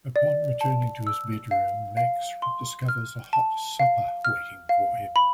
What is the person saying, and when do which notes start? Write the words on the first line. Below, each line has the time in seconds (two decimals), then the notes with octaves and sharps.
Upon returning to his bedroom, Max discovers a hot supper waiting for him.
0.16 D5
0.61 A5
1.07 E6
1.51 F5
1.97 F5
2.42 C6
2.88 F6
3.33 A5
3.79 F5
4.25 F6
4.69 F5
5.16 B5